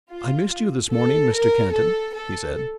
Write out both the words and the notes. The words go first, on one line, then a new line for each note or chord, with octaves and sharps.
"I missed you this morning, Mr. Kenton," he said.
F4
A4
A#4
A4
A4